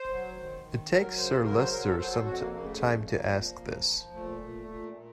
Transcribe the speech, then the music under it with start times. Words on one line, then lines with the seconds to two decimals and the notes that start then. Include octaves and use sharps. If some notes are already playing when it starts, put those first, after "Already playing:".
It takes Sir Leicester some time to ask this.
Already playing: C5
0.11 F#3
0.37 D#3
0.64 D#3
0.90 F#3 A#4
1.18 C#3 C5
1.45 F#3 A#4
1.59 C5
1.71 F#3 A#4
1.86 A4
1.98 F#3 C5
2.12 A4
2.25 F2 F#4
2.39 A#3
2.53 C#3 A#3
2.64 A3
2.79 F2
2.90 A3
3.06 A#2 A#3
3.34 F3
3.60 F3
3.86 F3
4.14 A#2 A3
4.41 A#2
4.67 A#2
4.95 A#2